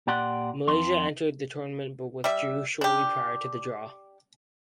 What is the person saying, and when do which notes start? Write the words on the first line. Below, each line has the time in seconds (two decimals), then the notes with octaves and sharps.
Malaysia entered the tournament but withdrew shortly prior to the draw.
0.07 A#2 G4 D5 F#5 C6
0.68 F2 C6
2.24 G3 E5
2.81 D4 G4